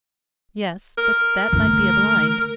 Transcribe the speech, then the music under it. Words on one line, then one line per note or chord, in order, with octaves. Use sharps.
"Yes; but that might be a blind."
A#4
D3 A3